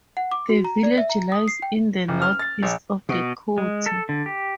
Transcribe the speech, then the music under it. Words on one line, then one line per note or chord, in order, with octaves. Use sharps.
The village lies in the north east of the county.
F#5
D6
F#4
A#5
D5
E5
A#5
D#6
C7
G5
F#1
F6
A6
A#1
B2
G#3
A4
D3
G4